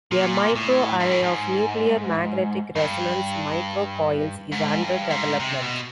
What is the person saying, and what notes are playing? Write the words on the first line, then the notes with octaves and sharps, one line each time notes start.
A microarray of nuclear magnetic resonance microcoils is under development.
A#2
A2
G#2
A2
G#2
G2
G#2
G2
G#2
C3
B2